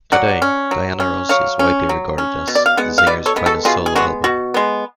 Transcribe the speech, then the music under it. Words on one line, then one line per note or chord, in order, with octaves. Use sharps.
Today, "Diana Ross" is widely regarded as the singer's finest solo album.
F#3 D5 F#5
C#4
F#3
C#4
F#3 C#5 F5
C#4
F#3
C#4
B2
D5
F5
G#3 B3 F#5
F5
B2 B4 D5
A4 C#5
G#3 B3
F#4 A4
B2 F4 G#4
G#4
G#3 B3 F#4
B2 F#4
G#3 B3